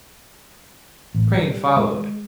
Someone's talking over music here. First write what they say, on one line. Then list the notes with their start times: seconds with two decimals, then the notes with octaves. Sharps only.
Crane followed.
1.14 A1
1.37 G3
1.77 G#3